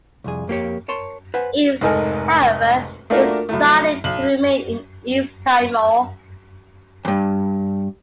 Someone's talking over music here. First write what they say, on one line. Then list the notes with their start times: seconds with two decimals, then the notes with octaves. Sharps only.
East, however, decided to remain in East Timor.
0.24 C2 F2 G#4
0.48 F2 A#3 G4 C#5
0.88 A#4 C#5 A5 C6
1.34 B4 C5 F#5 G#5
1.81 F1 G#2 D#4 A4 A#4 G#5
3.10 A3 A#3 D4 F4 F#4 A#4
3.49 C2 F#3 A3
4.04 B1 F#7
7.05 E2 G2